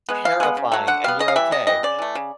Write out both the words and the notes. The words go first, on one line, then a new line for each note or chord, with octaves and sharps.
terrifying, and you're okay?
G#3 B3
E3 F5
G#3 B3
C#3
F#3 A3
D3 F#5
G3 B3 F5
C#3 D#5
F5
E3 G3 E5
C3 D#5
E3 G3 B3 D#5
C#3 D5
E3 A3
C#3